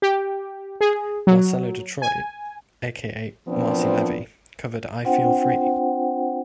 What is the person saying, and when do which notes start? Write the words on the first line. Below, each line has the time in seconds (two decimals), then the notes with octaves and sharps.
Marcella Detroit, aka Marcy Levy, covered "I Feel Free".
0.02 G4
0.81 G#4
1.27 F#3
2.02 G#5
3.48 A#2 E3 F3 B3 C4 D4
5.05 C4 D4 F4 C5 F#5 G5